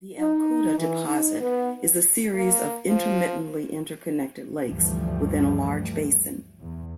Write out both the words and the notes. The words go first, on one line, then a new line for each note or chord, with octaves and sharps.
The Alcoota deposit is a series of intermittently interconnected lakes within a large basin.
D#4
E3
D#4
B3
A#3
F3
D2 G2 E3 F3 G3 A3
E2